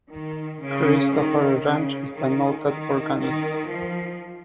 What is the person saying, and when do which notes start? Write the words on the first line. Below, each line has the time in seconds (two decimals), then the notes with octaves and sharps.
Christopher Wrench is a noted organist.
0.11 D#3
0.62 C#3
1.15 D#3
1.65 C#3
2.17 D#3
2.68 D#3
3.20 D#3
3.70 F3